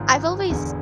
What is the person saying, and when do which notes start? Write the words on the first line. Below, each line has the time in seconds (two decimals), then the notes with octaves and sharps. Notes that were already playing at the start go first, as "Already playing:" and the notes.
I've always
Already playing: G#1 G#2 F3
0.50 E1 E2 D3